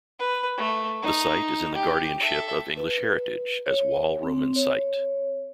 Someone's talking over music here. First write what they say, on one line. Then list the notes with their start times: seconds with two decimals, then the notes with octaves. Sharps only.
The site is in the guardianship of English Heritage as Wall Roman Site.
0.19 B4
0.57 A3
1.02 D#4
1.75 G4
2.20 A4 E5
2.77 B4
3.66 C#5
4.23 C4
4.56 C#5